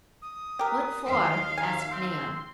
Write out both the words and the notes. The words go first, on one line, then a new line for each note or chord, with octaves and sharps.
"What for?" asked Nan.
D#6
G4 A#4 B4
D#2 F5 C6
G#5 A#5
C4 C6